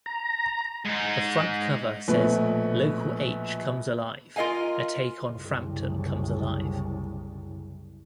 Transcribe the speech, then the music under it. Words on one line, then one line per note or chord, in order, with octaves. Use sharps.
The front cover says Local H Comes Alive!-a take on Frampton Comes Alive!
A#5
G#2 D#4
A#1 B2 A3 B3 B4
F4 A#4 D#5 F5 G#5
F#1 C2